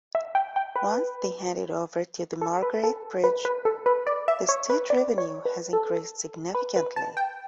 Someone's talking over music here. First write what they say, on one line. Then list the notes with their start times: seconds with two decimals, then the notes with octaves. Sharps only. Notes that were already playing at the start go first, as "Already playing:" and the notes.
Once they handed over to the Margaret Bridge, the state revenue has increased significantly.
0.15 E5
0.35 G5
0.56 G5
0.76 B4
2.41 A4
2.62 B4
2.84 A4
3.24 B4
3.45 B4
3.65 A4
3.86 B4
4.07 D5
4.28 E5
4.49 C#5
4.70 B4
4.90 D5
5.18 C#5
5.45 B4
5.73 A4
6.55 B4
6.76 B4
6.96 A5
7.17 G5